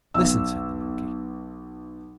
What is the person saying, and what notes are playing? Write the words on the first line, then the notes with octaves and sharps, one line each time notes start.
"Listen," said the monkey.
B1 E6